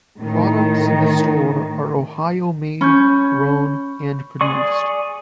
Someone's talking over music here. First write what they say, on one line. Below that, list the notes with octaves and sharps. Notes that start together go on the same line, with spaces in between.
Products in the store are Ohio made, grown and produced.
A2 D#3
C#4 B5 C#6 G6
G#4 D5 C#6